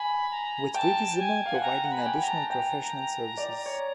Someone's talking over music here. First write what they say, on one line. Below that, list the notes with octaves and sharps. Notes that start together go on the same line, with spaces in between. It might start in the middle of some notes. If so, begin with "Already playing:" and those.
With Vivisimo providing additional professional services.
Already playing: G#5 B5
A#5
G5 A5
G#5
F5
F#5
G5 A#5
F#5
B5
G#5
G5
A#5
A5
G5 A#5
D5
C#5